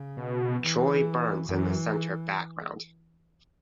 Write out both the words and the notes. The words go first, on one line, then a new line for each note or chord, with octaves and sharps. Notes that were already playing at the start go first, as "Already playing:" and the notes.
Troy burns in the centre background.
Already playing: C#3
B2
E3
F#2 E3